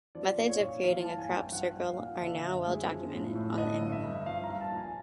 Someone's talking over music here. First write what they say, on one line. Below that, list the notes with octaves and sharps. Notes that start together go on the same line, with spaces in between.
Methods of creating a crop circle are now well documented on the Internet.
F3 D5
A#2
C#5
A#2
E3 F5
A5
G2
G#5
G2
G5
F3 F#5
A#2
F5
A#2
D3 E5
F#2
G#3
F3
A2
A2
D3 D#5
G2
E5
G2
F3 F5
A#5
A#2
A5
A#2
G#5